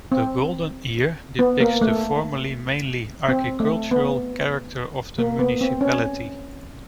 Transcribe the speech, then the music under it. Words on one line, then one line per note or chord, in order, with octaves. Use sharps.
The golden ear depicts the formerly mainly agricultural character of the municipality.
C4
B3
A#3
A3
C4
A3
B3
A#3
B3
C4
C#4